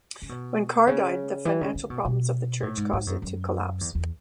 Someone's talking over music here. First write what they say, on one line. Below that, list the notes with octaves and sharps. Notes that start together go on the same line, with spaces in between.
When Carr died the financial problems of the church caused it to collapse.
C#3
B2
C#3
E3
C#3
C#3
B2
B2
A2
G#2
G#2
F#2
F#2
E2
E2